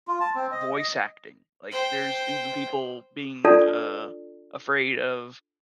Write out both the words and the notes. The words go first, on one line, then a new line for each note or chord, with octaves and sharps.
voice acting, like, there's even people being, uh, afraid of
F4
A5
C4
D#5
D#5
C5 G5
D4 F4 A4 D5 A5